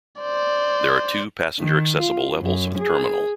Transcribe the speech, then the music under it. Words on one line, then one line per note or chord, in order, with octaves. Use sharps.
There are two passenger accessible levels of the terminal.
C5 D5
D#3
F4
F#2
G#4